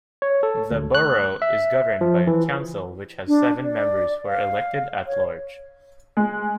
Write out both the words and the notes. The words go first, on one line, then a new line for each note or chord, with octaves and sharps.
The Borough is governed by a council which has seven members who are elected-at-large.
C#5
A4
D2
F#6
E5
F3
E3
D4
D5
F5
C#5
G#3